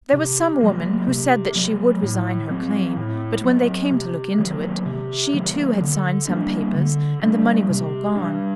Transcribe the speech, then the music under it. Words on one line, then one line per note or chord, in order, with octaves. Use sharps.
There was some woman who said that she would resign her claim; but when they came to look into it, she too had signed some papers and the money was all gone.
C3
F#3 A#3
C3
F#3 A#3
A2
F#3 C4
A2
F#3 C4
C3
D#3 F#3 A#3
C3
D#3 F#3 A#3
D3
G3 A#3 D4
D3
G3 A#3 D4
C3
G3 D4